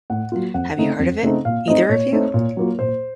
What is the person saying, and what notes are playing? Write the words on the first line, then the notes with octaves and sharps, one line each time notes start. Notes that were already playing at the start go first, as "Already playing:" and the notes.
Have you heard of it, either of you?
A2 F#5
F#3 A#3 F4
F2 F#5
C#3 A3 C4 D#4
F2
C#3 A3 C4 D#4
A#2 F5
A3 C4 D#4 D#5
A#2 C#5
A3 C4 D#4
A#2
F#3 A#3 F4
A#2 C5